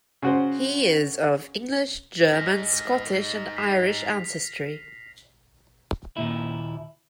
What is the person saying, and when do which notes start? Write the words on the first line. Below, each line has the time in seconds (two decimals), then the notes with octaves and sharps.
He is of English, German, Scottish, and Irish ancestry.
0.22 C#3 F#4 C5
2.33 D#4 G#4 F6 A#6 B6
3.57 B6 C7 F7
6.17 D#2 A#2 E4